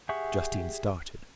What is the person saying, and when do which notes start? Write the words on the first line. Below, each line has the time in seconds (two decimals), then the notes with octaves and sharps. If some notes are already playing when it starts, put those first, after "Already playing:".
Justine started.
0.09 G4 G#4 E5 F#5 C#6